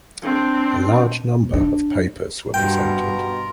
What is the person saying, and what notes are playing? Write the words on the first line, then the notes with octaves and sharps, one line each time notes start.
A large number of papers were presented.
C4 D4
D4
G2 B2 F4 A#4 G5 A#5